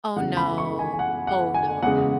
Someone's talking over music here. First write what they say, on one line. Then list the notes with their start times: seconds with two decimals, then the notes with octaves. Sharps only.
Oh, no. Oh, no.
0.16 E2 C#3 E3 G#3 F#5
0.37 B5
0.58 C#6
0.79 G#5
0.94 G#5
0.99 F#5
1.27 F#5
1.54 G#5
1.83 E2 C#3 G#3 F#5